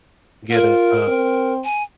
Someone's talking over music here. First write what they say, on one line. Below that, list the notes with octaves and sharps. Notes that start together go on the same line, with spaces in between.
get a a a
F4 A#4
C4
G#5